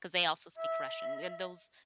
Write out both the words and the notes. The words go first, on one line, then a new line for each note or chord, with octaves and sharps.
'cause they also speak Russian, and those
E5